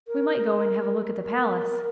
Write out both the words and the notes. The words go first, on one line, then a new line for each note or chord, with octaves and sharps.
'We might go and have a look at the Palace.'
A#4
A#4